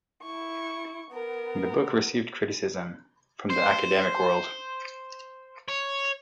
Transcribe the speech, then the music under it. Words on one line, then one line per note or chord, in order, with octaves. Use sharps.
The book received criticism from the academic world.
E4 C#6
B3 A#4
C5
C#5